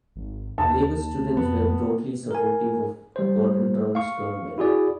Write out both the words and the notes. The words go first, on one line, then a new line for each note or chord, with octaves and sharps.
Labour Students were broadly supportive of Gordon Brown's government.
G#1
D#2 A5
D2
F2 B3
A#4 G#5
G3 C5
F5 C#6
E4 F#4 G#4 D5